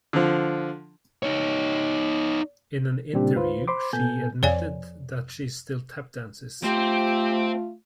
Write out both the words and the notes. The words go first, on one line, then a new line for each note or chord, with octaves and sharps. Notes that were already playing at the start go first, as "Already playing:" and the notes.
In an interview, she admitted that she still tap dances.
D3 F3
D#4 C#5
A#2 C#3 G3 C4 D4 G4
D2 F4 B4 C5
C5 B5 C6 D6
A#2 B3 A4 G#5 G6
F2 C#5 D5 G#5
A3 C4 F4 G4 C5